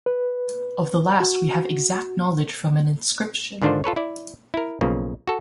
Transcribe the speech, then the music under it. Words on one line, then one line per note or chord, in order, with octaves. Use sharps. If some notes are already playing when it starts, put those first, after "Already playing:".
Of the last we have exact knowledge from an inscription.
B4
F#4
G#2 D3 D#3 D4 F4 C5
F4 A4 B4 C#5
E4 D5
E4 A#4
B1 C#3 F3 A#3
F#4 A4